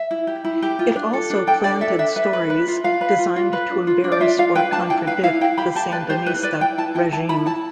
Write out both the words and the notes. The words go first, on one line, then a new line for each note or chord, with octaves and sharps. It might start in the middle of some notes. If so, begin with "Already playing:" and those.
It also planted stories designed to embarrass or contradict the Sandinista regime.
Already playing: E5
E4
G4
E4
G4
F4
D4
A4
D4
A4 G5
D4 D5
A4 E5
D4 E5
B4 E5
B4
B4
F4
F4 F5
B4
F4
F4
B4
D4
F4
D4
D5
F4 E5
F4 F5
B4 G5
D4 A5
E4 G5
B4 F5
E4 F5
E4 G5
G4 B5
G4 A5
B4 D5
G4 C5
E4 B4
B4 D5
E4 G5
E4 A5
E4 G5
E4 A5
E4 B5
E4 A5